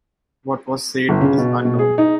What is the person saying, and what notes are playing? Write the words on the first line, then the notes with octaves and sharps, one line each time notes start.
What was said is unknown.
G1
C#3
B2
B2
G#4
D#4